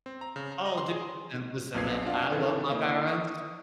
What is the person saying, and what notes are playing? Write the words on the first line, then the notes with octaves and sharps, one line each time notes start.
Oh, dude, listen listen man, I love my parents
C4
A#5
C#3
A#5
D#5
C6
G#4
B1 F2 C4 B4 G#6 C7
D4 F4 F5 F#5
D#3 E3 C4 A4
A#3 E4 C5 D#5
C#6 D#6